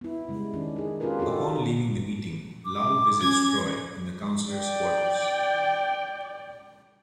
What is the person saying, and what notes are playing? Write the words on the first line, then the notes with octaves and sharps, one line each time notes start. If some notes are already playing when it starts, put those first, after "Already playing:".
Upon leaving the meeting, Lal visits Troi in the counselor's quarters.
B3 E4
C#3 G3 G#3
D#3 C#4 D4
D#4 G#4
C#4 F4 G4 G#4 A#4 B4
C4 D#4 F#4 G4 A4
D6
C#4 G#6
D5 G5